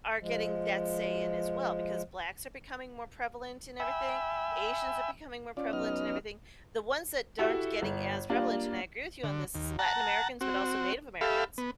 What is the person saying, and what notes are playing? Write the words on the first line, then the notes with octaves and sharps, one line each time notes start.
are getting that say in as well because blacks are becoming more prevalent in everything. Asians are becoming more prevalent in everything. The ones that aren't getting as prevalent, and I agree with you on this, is Latin Americans, but also Native Americans.
F3 G#3
E5 G5 G#5 B5 E6
C#4 F4 D5
F#3 B3 C#4 D#4 D#5 F6
E4 F#4 G4 A4 E5
G1
G3 A#3 D4 F4
D3
D#2
F#5 A5 A#5
C4 F#4
G4 A4 E5 F5 B5
B3